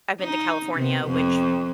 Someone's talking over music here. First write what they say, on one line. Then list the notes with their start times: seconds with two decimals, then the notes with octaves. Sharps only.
I've been to California, which,
0.20 D#4
0.74 C3 B3
1.06 F2